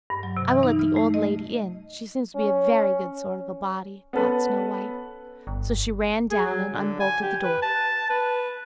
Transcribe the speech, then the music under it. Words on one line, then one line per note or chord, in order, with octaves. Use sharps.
"I will let the old lady in; she seems to be a very good sort of a body," thought Snow-White; so she ran down, and unbolted the door.
G2
F#3
C3
E3
D#4
F6
A3
D#5
C#4
B3 C#4 A4 B4
G1
G#4
F#3
D3
G#5
G4
B4
A5
B4